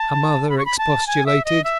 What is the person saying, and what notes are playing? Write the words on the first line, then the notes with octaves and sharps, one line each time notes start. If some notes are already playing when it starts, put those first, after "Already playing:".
Her mother expostulated.
Already playing: A5
B5
C#6
B5
A5
G#5
E5
D#5
E5